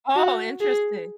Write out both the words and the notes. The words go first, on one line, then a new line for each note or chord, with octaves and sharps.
Oh! Interesting.
F#4
G#4